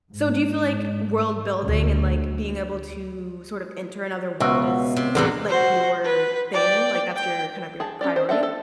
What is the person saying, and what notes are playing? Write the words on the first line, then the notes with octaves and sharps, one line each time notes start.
So do you feel like world building, and, like, being able to sort of enter another world is, like, your thing, like, that's your kinda prio priority?
G#2
D2
C#2 B2 F#4 E5
C3
E2 A2 D3 F#3 G3 B3
F#4 C5
B4
D5 G5
G5
G#4 A5
C#4 G4 D5
C5
D4 A4 E5 F#5
A4